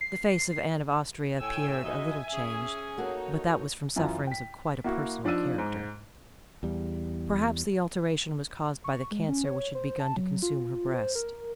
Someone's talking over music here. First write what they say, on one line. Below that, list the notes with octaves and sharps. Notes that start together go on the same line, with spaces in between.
The face of Anne of Austria appeared a little changed, but that was from sufferings of quite a personal character. Perhaps the alteration was caused by the cancer which had begun to consume her breast.
C7
A2 G5 G#5 E6
D3 F#3 D#4 E5 G#5
C#4 G#4
A#3 D#4 F#4 A4 C#5
F#2 E3 F4
G5 B6
A#3 E4 F#4
F3 D4 D#4 F4 E6 D#7
G#2
E2 G3
C#6
G#3
C#4
C#5
C5
A5
F#3
F4
C5
A#4